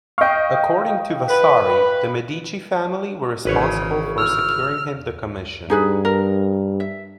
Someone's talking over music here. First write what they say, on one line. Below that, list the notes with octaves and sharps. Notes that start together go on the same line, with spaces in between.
According to Vasari, the Medici family were responsible for securing him the commission.
D#5 F5 G5 C#6
B4
G#1 C#3 E3 B4 C#5
E6 F6
G2 D#4 G#4 B4
A#4
E5